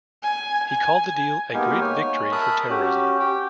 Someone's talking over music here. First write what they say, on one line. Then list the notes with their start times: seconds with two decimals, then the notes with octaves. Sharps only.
He called the deal a 'great victory for terrorism'.
0.22 G#5
0.69 G#5
1.54 G#3 A#3 B3 D#4 G4 A#4
1.81 C#5 G#5
2.32 A#4 E5 A5 B5 D#6 F#6
2.70 C#4 F#4 G4
3.20 G4 G5